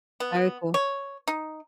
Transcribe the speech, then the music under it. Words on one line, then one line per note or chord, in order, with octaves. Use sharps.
Very cool.
B3
C#5
D#4